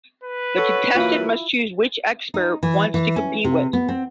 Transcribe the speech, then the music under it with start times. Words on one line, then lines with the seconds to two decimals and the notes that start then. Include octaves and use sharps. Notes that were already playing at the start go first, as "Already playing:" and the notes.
The contestant must choose which "expert" wants to compete with.
0.24 B4
0.58 F#4 A4 C#5
0.95 E3 F#3 A#3 E4 F4 F5
2.34 D#4
2.63 E3
2.94 E3
3.16 C#4
3.44 C3
3.73 B3
3.89 C4